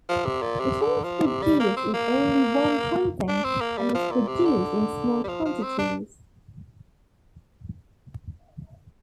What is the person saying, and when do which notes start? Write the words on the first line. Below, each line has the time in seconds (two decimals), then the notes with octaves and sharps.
It was produced in only one printing, and was produced in small quantities.
0.09 F3
0.26 C3
0.42 A#2
0.60 C3
0.82 D3
1.04 F3
1.26 C3
1.43 G3
1.60 A#3
1.77 C4
1.94 A#3
3.28 D4
3.44 C4
3.61 A#3
3.78 G3
3.95 F3
4.12 A#2
4.28 C3
4.45 D3
5.24 G3
5.28 F3
5.45 F3
5.63 C4
5.79 D4